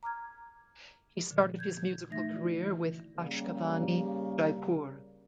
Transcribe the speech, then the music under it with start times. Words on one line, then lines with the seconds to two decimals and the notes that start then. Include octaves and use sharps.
He started his musical career with Akashvani Jaipur.
0.03 A#5 D6 F6 G#6
1.30 A#2 D3 F3
1.59 G6 G#6
2.09 D3 E3 A3 D#4 E5 A#6
2.30 E3 E4 F#4 D5
2.63 E3
3.17 C#3 G3 A#3